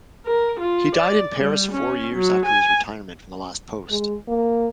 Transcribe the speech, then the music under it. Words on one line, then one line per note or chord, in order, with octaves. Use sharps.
He died in Paris four years after his retirement from the last post.
A#4
F4
D5
G3
C#4
F#3
G#5
G#3
A#3